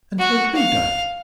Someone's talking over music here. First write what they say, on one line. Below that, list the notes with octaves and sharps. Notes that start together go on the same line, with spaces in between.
"Until who died?"
F#4
F5